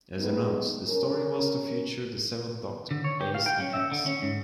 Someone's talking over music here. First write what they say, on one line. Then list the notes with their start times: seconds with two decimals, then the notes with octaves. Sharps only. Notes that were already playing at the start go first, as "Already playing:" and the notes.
As announced, the story was to feature the Seventh Doctor, Ace and Hex.
0.19 A2 G3 G#3 B3 D#4
0.87 C#4 A#4
2.91 D3
3.04 C#5
3.21 G4
3.35 F5
3.46 G5
3.60 C#4
3.73 E5
3.92 D3
4.06 C#4
4.22 G#2